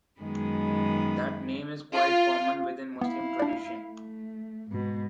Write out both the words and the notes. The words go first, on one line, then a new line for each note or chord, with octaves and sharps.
That name is quite common within Muslim tradition.
F#2 D#3 G#3 B3 G#4 B5
F4
B3 E4 F5
D4 D5
A3
G#2 B2